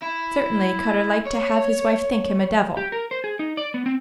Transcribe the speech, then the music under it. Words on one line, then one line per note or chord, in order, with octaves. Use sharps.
Certainly Cutter liked to have his wife think him a devil.
E4
C#5
G4
A#4
C5
G#4
D#4
D5
B3
C4